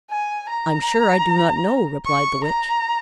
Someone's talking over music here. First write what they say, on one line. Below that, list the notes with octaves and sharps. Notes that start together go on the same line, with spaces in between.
"I'm sure I do not know," replied the Witch.
G#5
A#5
C#6
A#5